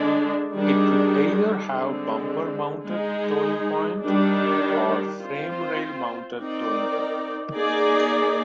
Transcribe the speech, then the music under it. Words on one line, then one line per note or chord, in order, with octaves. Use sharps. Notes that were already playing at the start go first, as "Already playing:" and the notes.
It could either have bumper mounted towing point or frame rail mounted towing point.
Already playing: D3 G#3 D4
D#3 G3 D4 G#4
D3 G#3 C4
G#3 D#4 G#4
D#3 G3 D4
C4 F4 C5
C4 D#4 A#4 D5
A#3 D#4 G#4 D5